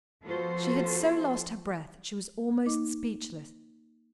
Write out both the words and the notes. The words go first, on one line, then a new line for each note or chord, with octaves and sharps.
She had so lost her breath that she was almost speechless.
F3 B3 F4 F#4 A4 C5
A#3 D#4 D#5 D6